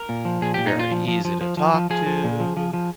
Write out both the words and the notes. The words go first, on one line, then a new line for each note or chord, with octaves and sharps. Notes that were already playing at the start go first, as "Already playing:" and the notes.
very easy to talk to,
Already playing: A#4
A#2
F3
A#2 G#4
A#2 G4
D#4
A#2 F4
F3
F3
F3
F3
F3
F3
F3 G#4
F3
A#2
F3
F3
F3